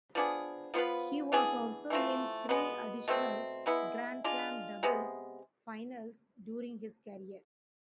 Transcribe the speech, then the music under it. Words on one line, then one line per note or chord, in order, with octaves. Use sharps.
He was also in three additional Grand Slam doubles finals during his career.
F3 B3 D4 G#4
F3 B3 F4 B4
E3 B3 D4 G#4
E3 A3 C4 F4
B2 G#3 B3
B2 A3 C4
G#3 B3 E4
G#3 D4 F4
C3 G#3 B3